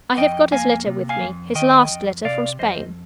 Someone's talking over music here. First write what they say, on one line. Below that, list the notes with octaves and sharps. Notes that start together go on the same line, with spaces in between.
I have got his letter with me--his last letter from Spain.
F2 D#5 G5
A#3 F5 G#5
C3
F5 G#5
F2
D#3 D#5 G5
F2
C3 D5 F5
F2 C5 D#5